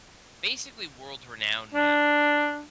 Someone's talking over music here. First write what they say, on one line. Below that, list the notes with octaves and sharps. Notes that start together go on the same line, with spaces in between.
basically world-renowned now
D4